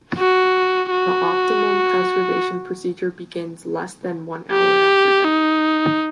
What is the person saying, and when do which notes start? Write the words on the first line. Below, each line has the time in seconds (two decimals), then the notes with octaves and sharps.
The optimum preservation procedure begins less than one hour after death.
0.18 F#4
0.91 F#4
4.53 G4
5.24 D#4